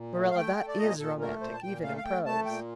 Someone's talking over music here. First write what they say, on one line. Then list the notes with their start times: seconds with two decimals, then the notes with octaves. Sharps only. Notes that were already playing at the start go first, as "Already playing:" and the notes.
Marilla, that IS romantic, even in prose.
Already playing: A#2
0.15 A3
0.30 F5
0.35 A3 G5
0.57 A3
0.68 D5
0.78 A#2 D#5
0.98 A#2 A4
1.20 A3 A#4
1.41 A#2 C5
1.54 A5
1.62 A#2 G5
1.83 A3 F5
1.97 F5
2.04 A3 G5
2.24 A3 A5
2.46 A#2 G5